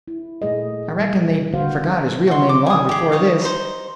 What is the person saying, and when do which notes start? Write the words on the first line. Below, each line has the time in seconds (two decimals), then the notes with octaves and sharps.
I reckon they've forgot his real name long before this.
0.08 E4
0.42 A#2 A3 G#4 D#5
1.00 G3
1.54 D3 A#3 F#4 C5 F5
2.27 F#4 C6
2.49 D6
2.66 G#5 D#6
2.89 G4 G#4
3.12 C#5 D#5 F5
3.41 D#4 C5